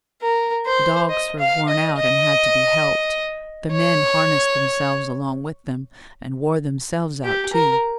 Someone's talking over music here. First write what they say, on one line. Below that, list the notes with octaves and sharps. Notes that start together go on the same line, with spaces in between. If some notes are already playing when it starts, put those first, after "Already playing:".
The dogs were worn out, and had to be helped; the men harnessed themselves along with them, and wore themselves out too.
A#4
C5
D#5
F5
D#5
D#5
C#5
G4
A#4